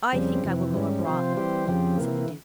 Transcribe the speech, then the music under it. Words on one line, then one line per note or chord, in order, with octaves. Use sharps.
"I think I will go abroad," said the Duke.
F2 C#3 G3 C4
F2 C3 E3
G#2 G3 C#4
C3 F3 C4 F4 C5
E3 G3 C4 G4 C5
F2 C#3 F3 C4 G4
C3 E3 A#3